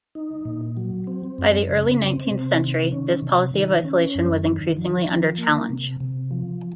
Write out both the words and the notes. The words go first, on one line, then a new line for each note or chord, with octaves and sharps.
By the early nineteenth century, this policy of isolation was increasingly under challenge.
D#4
A#2
F#3
C4
F#2
C#3
C4
C3
D#3
C#4
C3
D#3
C#4
F#2
D#3
F3
F3
A#3
C3
C3
F3